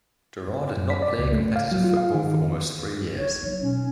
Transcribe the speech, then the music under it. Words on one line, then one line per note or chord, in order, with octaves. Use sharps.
Durrant did not play competitive football for almost three years.
F#2
B6
D5
C#2
A3
F5
F#3
F4
F5
D#3
E4 C#5
F#3 D#4
B2 D#3 C#4